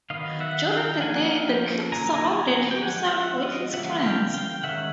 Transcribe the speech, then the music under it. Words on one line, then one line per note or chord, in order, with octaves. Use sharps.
During the day, the king surrounded himself with his friends.
D#3 F#3 B3 D#5 F5
E5 F#5
F5 G5
F3 A#3 C#4 F#5 G#5
F5 G5
D3 F#3 A#3 G#5 A#5
G#5
A5
G#5 A#5
G5
F3 G#3 C#4 F#5 G#5
G5
E5 F#5
D#5 F5
C#3 E3 G3 A#3 C#4 E5 F#5
F5 G5
F5 G5
D#3 G#3 C#4 E5 F#5